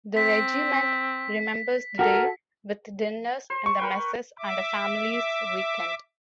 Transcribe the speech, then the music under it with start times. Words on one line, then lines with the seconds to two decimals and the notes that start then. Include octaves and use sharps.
The Regiment remembers the day with dinners in the Messes and a families weekend.
0.16 C4 B6
1.99 F#4 G4 A4 A#4
3.50 C5
3.66 C#6
3.79 A#4 B4 G5
4.39 E5 D6